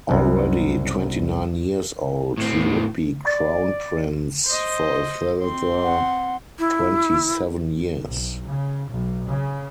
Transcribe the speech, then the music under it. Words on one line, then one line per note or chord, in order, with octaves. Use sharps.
Already twenty-nine years old, he would be Crown Prince for a further twenty-seven years.
C2 F#2
A2 C4
D5
C5 D#5
C4 C6
F#5
E4
B1
C#3
B1
C#3